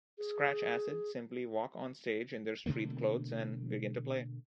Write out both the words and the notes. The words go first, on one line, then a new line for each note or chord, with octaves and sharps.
Scratch Acid simply walk on stage in their street clothes and begin to play.
G#4
B2 D3 A3 A#3